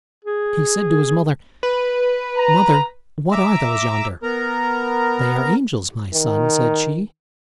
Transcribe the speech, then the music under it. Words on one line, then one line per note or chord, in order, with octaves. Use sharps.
He said to his mother, "Mother, what are those yonder?" "They are angels, my son," said she.
G#4
B4
A#5
E5 A#5 D6 E6
B3 A#4 A#5
D#3